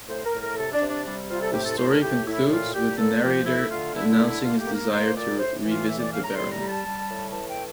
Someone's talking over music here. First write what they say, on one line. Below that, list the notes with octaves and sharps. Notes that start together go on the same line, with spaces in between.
The story concludes with the narrator announcing his desire to revisit the Baron.
A2 C5
A#4
A2
A#4
C3 A4
D4
C3
D4
G3 D4
C3 F4
A4
A2 G4
A4
A2 C5
A#4
A2 G4
A2 E4
A#2 F4
A#2 G4
A#2 A4
F3 G4
A3 E4
D3 F4
D3 E4
E4
A3
E4
A#3 F4
G4
A#3
A#4
A#3 C5
A#2 D5
A2 C5
E3
F4
A2 E5
D5
A2 F5
A#5
G3 C6
A#5
G3
A5
G3
A2
E3 A5
G5
A3